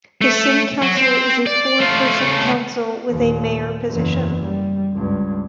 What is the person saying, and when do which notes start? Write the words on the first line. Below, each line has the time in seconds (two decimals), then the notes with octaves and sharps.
The City Council is a four-person council with a Mayor position.
0.21 A3
0.82 F#3
0.97 C4
1.47 D5
1.80 A3 F4
2.19 C#3 A3
3.10 D#2 A#2
3.90 F#1 E2
4.44 G3
4.93 C#2 G2